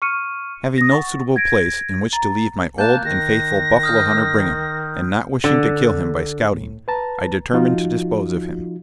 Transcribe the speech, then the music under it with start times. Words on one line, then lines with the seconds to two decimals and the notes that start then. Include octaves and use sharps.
Having no suitable place in which to leave my old and faithful buffalo-hunter Brigham, and not wishing to kill him by scouting, I determined to dispose of him.
0.02 C#6 F6 C#7 D#7
0.78 D#6 A#6
0.92 F#5 C#6 A6
1.36 G#6 A#6 D7
2.13 A#5 A6
2.78 A#3 A5 F#6 G6
3.05 D#3 A#6
3.83 D#6 F6 G6
5.44 D3
6.55 A2
6.88 B4 A5 A#5
7.53 F3 D#4 F4 F#4